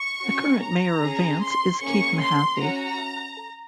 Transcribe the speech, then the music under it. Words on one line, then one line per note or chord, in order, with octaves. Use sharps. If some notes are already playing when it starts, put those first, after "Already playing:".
The current mayor of Vance is Keith Mahaffey.
Already playing: C#6
C#4 F#4
A#5
C#4 G#4
C6
A#3 C#4 G#4 C#6
C6
C#4 F#4 A#5